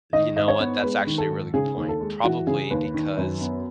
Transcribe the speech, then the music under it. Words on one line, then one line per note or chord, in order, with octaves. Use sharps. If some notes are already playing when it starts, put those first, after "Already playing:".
You know what? That's actually a really good point. Probably because
D#3 D#5
G#2 D#5
C#5
B3
G#3 B4
D#3
A4
G#2
C#3 G#4
D#2
A4
G#3
E3 F#4
C#3 G#4
D#2 B4
D#3
F#2
B3